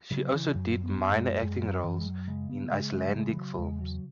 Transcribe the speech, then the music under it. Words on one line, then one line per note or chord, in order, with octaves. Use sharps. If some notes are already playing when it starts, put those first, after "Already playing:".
She also did minor acting roles in Icelandic films.
C#3 F#3
E3
E3
F#2 F#3
B3
F#2
G#3
F#2 G#3
F#3
F#2 E3
G#3
F#3
C#3 G#3
B3
C#3 G#3
G#3
F#3
C#3 G#3
E3
F#3
E2 G#3
F#3